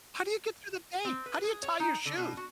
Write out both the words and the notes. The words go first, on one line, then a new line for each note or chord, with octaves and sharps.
“How do you get through the day? How do you tie your shoes?”
C4
B4
G#4
C#5
D#4
D3
B2
F#4